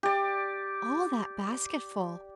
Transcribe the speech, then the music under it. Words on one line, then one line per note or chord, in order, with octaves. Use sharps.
"All that basketful!"
G4 D5